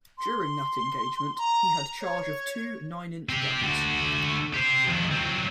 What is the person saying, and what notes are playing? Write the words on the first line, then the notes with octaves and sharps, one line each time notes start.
During that engagement he had charge of two nine-inch guns.
C6
A#5
C#5
C4 G4
D3 F#4
G4 C5
F2 D#3
F#3 C4